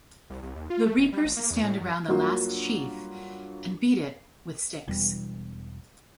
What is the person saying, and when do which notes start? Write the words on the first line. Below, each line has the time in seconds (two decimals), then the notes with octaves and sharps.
The reapers stand around the last sheaf and beat it with sticks.
0.30 C2
0.43 C2
0.55 D#2
0.70 F4
0.86 A3
0.98 D#1
1.13 G3
1.25 A1
1.36 A#3
1.51 E2
1.63 A2
1.80 F#2
2.08 G2 F#3 A#3 F4 F#4
4.88 E1 E2 G3